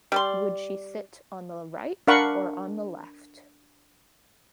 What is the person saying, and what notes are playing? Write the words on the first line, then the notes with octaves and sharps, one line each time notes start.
Would she sit on the right or on the left?
G3 D5 C6
D4 A#4 F5 F#5 B5 C#6